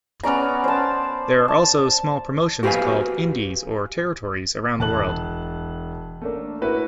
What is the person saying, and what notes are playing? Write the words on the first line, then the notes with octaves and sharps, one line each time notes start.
There are also small promotions called indies or territories around the world.
B3 C#4 D5 A#5
C5 A5
A5
F#4 G4 B4 C5 F5 G#5
E1 A5 F#6 F#7
A3 A#3 D4
E4 F#4 A#4 B4